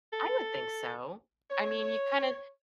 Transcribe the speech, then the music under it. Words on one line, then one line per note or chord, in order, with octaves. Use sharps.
I would think so. I mean, you kinda
A4
C#5